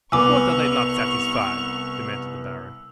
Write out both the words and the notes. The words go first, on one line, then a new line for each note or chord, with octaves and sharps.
"Of what are they not satisfied?" demanded the Baron.
C2 B3 G#5 C#6 D6 E6 F7